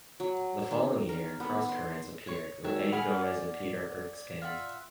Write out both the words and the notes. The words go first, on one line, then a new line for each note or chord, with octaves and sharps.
The following year "Cross Currents" appeared, with Eddie Gomez and Peter Erskine.
F#3
D#3
A#4
B3
C6
C#5 C#6
D#3 F#3 G#3 F#4 G#4 E5
F#5 G#5 B5 F6
D5
F4 E5 F#5